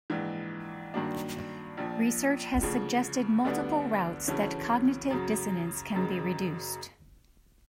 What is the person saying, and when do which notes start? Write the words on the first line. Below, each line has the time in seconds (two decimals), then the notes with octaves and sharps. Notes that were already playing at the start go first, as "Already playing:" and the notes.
Research has suggested multiple routes that cognitive dissonance can be reduced.
0.10 A#1 G#2 E3
0.94 G2 D#3 F#3 A#3 D4
1.77 A#1 A#2 F3
2.61 D2 C#3 F3
3.44 D2 D3 G3 B3 D4
4.27 D2 C#3 E3 A3 C#4
5.11 F#2 C#3 F#3
5.94 F#1 F#2 C#3